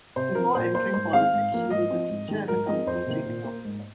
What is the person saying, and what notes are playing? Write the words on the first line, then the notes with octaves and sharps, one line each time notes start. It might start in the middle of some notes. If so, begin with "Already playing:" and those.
Before entering politics, she was a teacher and a company training officer.
C3 C5
F3 C4 A#4
A#2 C5
A#3 C5
G#2 C5
D#3 G#3 C4 F5
G#2
F3 A#3
G#2 D#5
F3 C4
G#2
D#3 G#3
G#2 A#4
F3 G#3 C4 D#5
F2 C5
C3 D#3 A#3
A#2
A#3
G#2